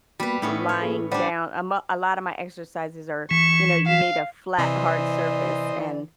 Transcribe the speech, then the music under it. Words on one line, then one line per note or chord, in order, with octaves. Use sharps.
lying down. A mo a lot of my exercises are, you know, you need a flat hard surface and,
G3 A#3 B3 F#4 B4
A2 A3 B3 C#4 D#4 E5
C#5
A#3 G#4 A4
G3 D4 C5 D5 F#5
E3 C#6
F5
C3 E3 C5 D5 D#5